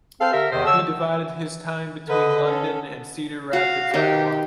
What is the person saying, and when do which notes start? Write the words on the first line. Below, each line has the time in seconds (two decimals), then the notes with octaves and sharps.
He divided his time between London and Cedar Rapids, Iowa.
0.20 C4 A4 C5 F5
0.32 D3 G4 A#4 E5
0.52 E2 C3 D#3 C5 D#5
0.65 D3 A4 C#5 E6
2.08 D3 B4 D#5
2.47 C#4 A4
3.53 F#4 F5
3.94 D#3 D#4 G4